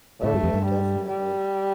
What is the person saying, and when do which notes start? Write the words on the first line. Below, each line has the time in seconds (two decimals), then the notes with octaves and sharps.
Oh, yeah. Definitely.
0.23 A2 A3
0.34 G2
0.43 F2
0.54 G2
0.65 G3
1.08 G3